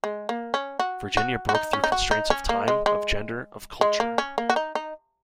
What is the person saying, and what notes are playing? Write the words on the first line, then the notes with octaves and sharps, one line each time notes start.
Virginia broke through constraints of time, of gender, of culture.
G#3
A#3
C#4
F#4
F#4
F#4
D#4
C#4
D#4
F#4
D#4
C#4
A#3
G#3
G#3
G#3
A#3
C#4
A#3
F#4
D#4
D#4